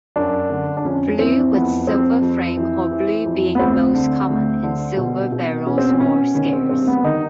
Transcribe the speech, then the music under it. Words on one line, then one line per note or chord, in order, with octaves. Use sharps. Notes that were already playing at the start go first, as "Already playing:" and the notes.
Blue with silver frame or blue being most common and silver barrels more scarce.
F#2 D4
D3
D4
F2 C#4
C#4
E3 C4
F2 B3
F2 C4
F2
E3
E3
F2
B3
D2 C4
D3
D2
D3
B2
B2
B2 C#4
C4
C#4
B2 C#4
D#3 C#4
C4
G2 C4
B3
D#3 D#4